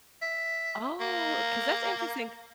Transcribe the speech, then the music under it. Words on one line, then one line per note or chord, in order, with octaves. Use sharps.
Oh, 'cause that's interesting
E5
A#3